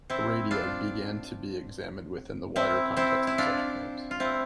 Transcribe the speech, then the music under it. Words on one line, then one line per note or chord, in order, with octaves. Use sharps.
"Aradia" began to be examined within the wider context of such claims.
C4 E4
D4 F4
C4 E4
C4 E4
E4
D4 F4
F4
C4 E4